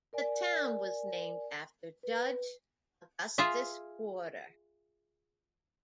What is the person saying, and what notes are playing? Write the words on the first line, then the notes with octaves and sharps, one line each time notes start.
The town was named after Judge Augustus Porter.
A#4 D5 G#5
B4
F4 G#4 E5